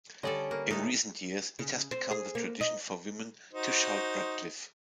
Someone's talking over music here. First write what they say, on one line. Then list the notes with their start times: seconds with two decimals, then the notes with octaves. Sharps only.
In recent years it has become the tradition for women to shout Radcliffe!
0.23 D3 G3 C#4 A4 D5 D#5
0.51 A#3 B4
0.71 A2 D#4 A4
1.59 C#3
1.91 C4
2.11 G#4
2.35 A#3
2.61 D#4
3.53 D#4 F#4 C5